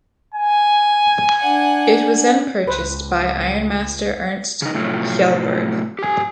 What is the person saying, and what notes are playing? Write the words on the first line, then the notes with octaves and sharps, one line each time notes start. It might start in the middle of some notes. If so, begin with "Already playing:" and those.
It was then purchased by Ironmaster Ernst Kjellberg.
G#5
D4 F#5
C#2 B4 C5
C#3 D#4
A2 C3 F3 F#3 A3
G4 G#5